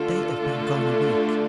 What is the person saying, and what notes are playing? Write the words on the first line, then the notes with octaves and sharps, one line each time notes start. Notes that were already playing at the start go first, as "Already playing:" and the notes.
'They have been gone a week.
Already playing: D3 A3 D4 F4 A4
D3 A3 D4